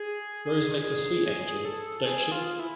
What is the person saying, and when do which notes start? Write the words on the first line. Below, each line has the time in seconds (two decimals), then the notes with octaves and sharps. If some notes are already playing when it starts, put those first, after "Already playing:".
Rose makes a sweet angel, don't she?
Already playing: G#4
0.46 G#4
1.26 G#4
1.65 A4
2.05 G#4
2.32 F4
2.59 E4